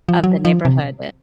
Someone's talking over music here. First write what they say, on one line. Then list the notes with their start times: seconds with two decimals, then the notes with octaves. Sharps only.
of the neighborhood.
0.09 F3
0.24 F#3
0.45 F3
0.65 C3